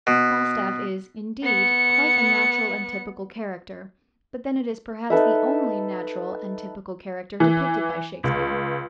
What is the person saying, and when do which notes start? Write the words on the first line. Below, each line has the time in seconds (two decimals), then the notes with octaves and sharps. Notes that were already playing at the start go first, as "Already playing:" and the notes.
Falstaff is, indeed, quite a natural and typical character; but then it is perhaps the only natural and typical character depicted by Shakespeare.
0.07 B2
1.43 B3 C#7
5.10 D#4 A4 B4 E5
7.40 E3
8.24 C#2